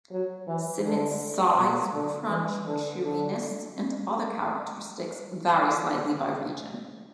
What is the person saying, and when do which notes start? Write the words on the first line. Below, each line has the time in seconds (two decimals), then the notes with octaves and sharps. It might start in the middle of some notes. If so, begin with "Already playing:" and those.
Simit's size, crunch, chewiness, and other characteristics vary slightly by region.
0.11 F#3
0.48 E3
0.85 D3
1.57 B2
1.93 D3
2.29 E3
2.66 D3
3.02 D3